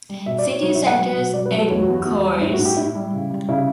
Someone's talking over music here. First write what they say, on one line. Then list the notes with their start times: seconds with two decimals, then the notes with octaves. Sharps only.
City Center's Encores!
0.09 G3
0.26 B2 E5
0.38 D5
0.45 B2
0.51 C#5
0.62 F#3 C#5
0.74 E5
0.81 F#3
0.87 F#5
0.99 F#3
1.16 B2
1.33 F#3 D5
1.46 B4
1.51 F#3
1.58 A4
1.70 E2 C#5
1.81 F#4
1.87 E2
1.94 F#4
2.05 E2
2.23 G3
2.41 A2 E4
2.53 F#4
2.59 A2
2.65 G4
2.77 A2 E4
2.95 G3
3.13 C#3
3.31 G3
3.48 C#3 E4